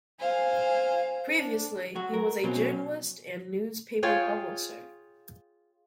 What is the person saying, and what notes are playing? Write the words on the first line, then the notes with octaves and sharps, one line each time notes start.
Previously, he was a journalist and newspaper publisher.
C5 F5 G#5
D4
F#3 F#4
A#4
B2 F#3 C4 C#4
F4 G#4 C#5 G5